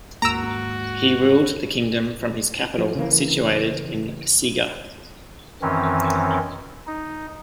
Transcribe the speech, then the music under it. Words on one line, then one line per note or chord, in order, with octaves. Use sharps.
He ruled the kingdom from his capital situated in Siga.
D#2 G#2 A#3 F#4 A#5 E6 D7
F3
C#3 E3 A#3
F#2 D#3 E3 C4 C#4
D#4